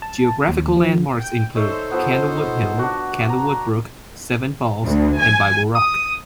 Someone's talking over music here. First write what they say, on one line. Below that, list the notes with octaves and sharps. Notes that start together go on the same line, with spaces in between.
Geographical landmarks include Candlewood Hill, Candlewood Brook, Seven Falls and Bible Rock.
A5
D#2
F3
G5
D#4 A4 C5 C#5 E5
F3 B3
D4 F#4
A#5
D2
G#5
D#6